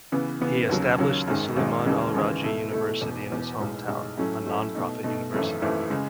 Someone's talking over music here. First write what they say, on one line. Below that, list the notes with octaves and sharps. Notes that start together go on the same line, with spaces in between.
He established the Sulaiman Al Rajhi University in his hometown, a non profit university.
C#3 E3 B3
C#3 E3 B3
D#2 C#3 F#3
D#2 C#3 F#3
G#1 F#2 D#3 G#3
G#1 F#2 D#3 G#3
D#2 C#3 E3 G#3
D#2 C#3 E3 G#3
B2 A3 E4 A4
B2 A3 E4 A4
E1 E2 B2
E1 E2 B2
B1 A2 G#3 D#4
B1 A2 G#3 D#4
A2 F#3 A3 C#4 E4
A2 F#3 A3 C#4 E4
B2 A3 D#4
B2 A3 D#4
G#1 F#2 E3 A3 E4
G#1 F#2 E3 A3 E4
C#3 G#3